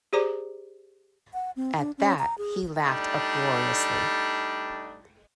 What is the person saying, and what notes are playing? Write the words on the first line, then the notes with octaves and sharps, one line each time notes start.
At that he laughed uproariously.
G4 G#4 C5 D5 A#5 D6
F#5
C4
D4
C#4
A#5
G#4
G3 A3 D4 D#4